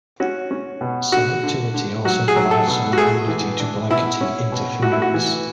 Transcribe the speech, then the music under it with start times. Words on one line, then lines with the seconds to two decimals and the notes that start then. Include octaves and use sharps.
Selectivity also provides some immunity to blanketing interference.
0.20 C#4 F#4
0.51 C#4
0.81 B2
1.12 D3 F#4
1.43 D3
1.74 D3
2.05 F#3 F#4
2.28 G#4
2.36 F#3
2.51 A4
2.67 B2
2.93 F#4
2.98 A3 G#4
3.28 E3
3.60 D4
3.90 B2 E4
4.21 C#4
4.52 B2
4.82 A2 F#4
4.92 E4
5.02 F#4
5.14 E3